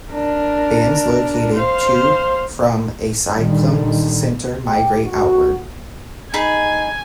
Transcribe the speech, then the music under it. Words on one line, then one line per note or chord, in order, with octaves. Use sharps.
Bands located to from a cyclone's center migrate outward.
D4 A#4
C5 F5
A#2 D3 D#3 G3
G4
F#4
D#4 G#4 G#5 B5